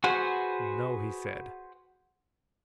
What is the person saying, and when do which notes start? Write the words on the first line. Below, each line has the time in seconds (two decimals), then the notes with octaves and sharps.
"No!" he said.
0.04 F#4 G#4 B4 C5 F#5